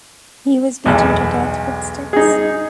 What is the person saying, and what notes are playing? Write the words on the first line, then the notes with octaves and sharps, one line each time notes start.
He was beaten to death with sticks.
B1 E2
D#4 G#4